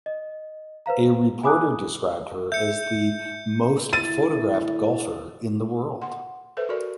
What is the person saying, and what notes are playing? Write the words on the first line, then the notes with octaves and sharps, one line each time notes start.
A reporter described her as the "most photographed golfer in the world".
D#5
B4 C5 F5 A#5
G#5 B5 D6 D#6 F#6
E5 G6 C#7
D3 A3 E4 A6 D#7
F#5 C6
A4 B4 C5 E5
F#4 A4 A#4 D5